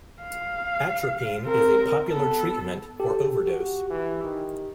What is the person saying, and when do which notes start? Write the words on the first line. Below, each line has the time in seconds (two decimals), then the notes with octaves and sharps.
Atropine is a popular treatment for overdose.
0.22 F5
1.42 C4 A#4
2.10 B3 A4
3.00 G4 A4
3.46 F#4
3.90 E3
4.24 D#3